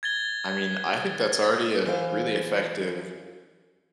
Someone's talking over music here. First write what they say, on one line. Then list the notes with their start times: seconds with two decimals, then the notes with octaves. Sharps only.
I mean, I think that's already a really effective,
0.03 G#6 A6 G7
1.86 E3 C5 F5